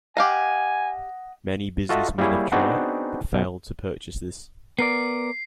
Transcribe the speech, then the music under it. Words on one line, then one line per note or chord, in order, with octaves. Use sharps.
Many businessmen have tried, but failed to purchase this.
G4 D#5 F5 F#5 G#5 A#5
F4 F#4 A4 D#5 E5
G3 A#3 E4 G#4 C#5
B3 C4 D4 D#4 F#4 G#4
B1
B3 A#4 D5 C7